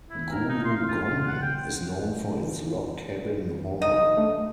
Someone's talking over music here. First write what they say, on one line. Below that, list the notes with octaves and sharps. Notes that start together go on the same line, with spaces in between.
Gooloogong is known for its log cabin hall.
E4
A#4
D#4
C6
F5
F4
F4
F#5
G5
D#4 D#5
D3 A3